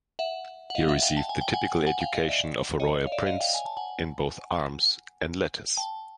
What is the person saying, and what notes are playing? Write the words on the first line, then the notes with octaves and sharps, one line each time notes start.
He received the typical education of a royal prince in both arms and letters.
E5 F#5
F#5
D#5 F5
E5 F#5
F5 G5
A5
G#5
G5
F#5 G#5
F#5 G#5
F5 G5
D#5 F5
D5 E5
C#5 D#5
F5
D5 E5
D#5 F5
F5 G5
G#5
A5
F#5 G#5
G5 A5